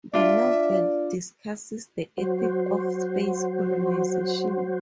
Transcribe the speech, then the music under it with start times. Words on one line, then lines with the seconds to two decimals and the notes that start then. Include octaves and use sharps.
The novel discusses the ethics of space colonization.
0.13 D4 F4 D5 E5
2.18 F#3 F#4 C5